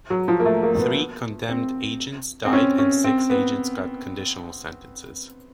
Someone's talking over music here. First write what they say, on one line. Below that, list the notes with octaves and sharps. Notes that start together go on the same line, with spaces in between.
Three condemned agents died and six agents got conditional sentences.
F#3
F3
A#3
A3
A#3
B3
C4
C4
C#4
C#4
C4
B3